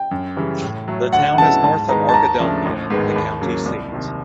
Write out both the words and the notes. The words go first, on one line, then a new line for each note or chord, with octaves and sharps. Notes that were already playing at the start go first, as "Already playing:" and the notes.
The town is north of Arkadelphia, the county seat.
Already playing: G5
F#2
C#3 E3 G3
A2
F#3 A3
D2 F#5
C#3 F#3 B3 E4 A5
G#2 A5
D#3 G#3 B3 D#4 A#5
A5
D#2 A#5
C#3 F3 A3 D4
A1
G#2 D#3 G#3 B3
D#2 B5
C#3 F#3 A#3
C2
C3 D#3